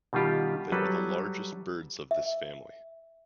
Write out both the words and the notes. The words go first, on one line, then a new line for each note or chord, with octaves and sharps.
They are the largest birds of this family.
B2 D#3 G3 F4 G4
F#3 G3 A4 B4
E5